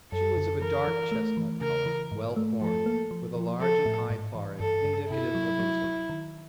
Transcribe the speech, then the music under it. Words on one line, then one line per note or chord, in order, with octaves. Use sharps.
She was of a dark chestnut color, well-formed, with a large and high forehead, indicative of intellect.
F#2 A4
D3
E3 A#4
E3
A3
E3
C#3 A#4
E3
G#2
A3
F3 A4
A#3
F3
F3
F3 A4
A2
G#2
E3
G2 A4
G2
C3 E4
F#3
F#3
F#3
D#3